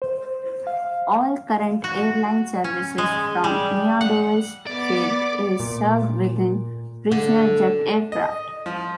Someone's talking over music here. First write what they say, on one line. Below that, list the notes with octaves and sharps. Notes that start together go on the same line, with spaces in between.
All current airline service from Meadows Field is served with regional jet aircraft.
C5
F5
F#4
C#4
G#3
G3
F#5
B3 D5 D6
A#2
D3
D#5
F3